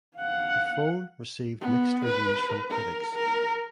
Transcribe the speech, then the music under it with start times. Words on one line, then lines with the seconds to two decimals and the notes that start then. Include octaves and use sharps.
The phone received mixed reviews from critics.
0.17 F5 F#5
1.61 B3
2.05 B4
2.70 A#4
3.15 A#4